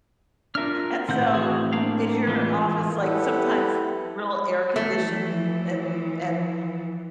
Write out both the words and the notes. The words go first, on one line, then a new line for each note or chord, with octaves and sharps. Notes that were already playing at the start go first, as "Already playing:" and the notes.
and so, is your office, like, sometimes e real air conditioned and and
D4 F4 A#4 E5 F6
A2 D#3 C4 F#5 G6
E3 F#4 G#4
A#3 D4 F5
E3 G#3 F4
E4 G4 A4 B4 F#5
E3 F3 A3